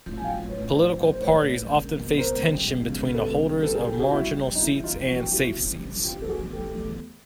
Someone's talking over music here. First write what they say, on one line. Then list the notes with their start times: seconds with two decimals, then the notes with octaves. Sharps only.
Political parties often face tension between the holders of marginal seats and safe seats.
0.09 A2
0.17 G#5
0.24 F#3 F5 G5
0.41 A2
0.49 B4 C#5
0.57 A2
0.73 A2 C5 D5
0.89 F#3
1.05 A#3
1.12 C5
1.21 A2 B4 C#5
1.37 A2
1.54 A#3
1.69 C#2
1.86 A#3
2.02 B2
2.18 B2 A#4 C5
2.34 C#2
2.50 G3
2.66 B2
2.83 C#2
2.99 C#2
3.14 B2 A4 B4
3.31 C#2
3.47 G3
3.63 C3 A4 B4
3.75 G#4 A#4
3.79 C3
3.87 G4 A4
3.95 C3 F#4 G#4
4.11 G3 E4 F#4
4.28 G3
4.44 G3
4.55 D#4
4.60 G3 E4
4.74 E3 E4
4.84 D#4 F4
4.92 F2
5.08 E3 F#4
5.20 G3 G4
5.32 E4 F#4
5.40 G3
5.56 C3
5.72 C3
5.89 C3
6.05 C3 F4 G4
6.21 C3 A4
6.29 F#4 G#4
6.37 E2
6.53 E2 G4 A4
6.69 A3
6.85 E2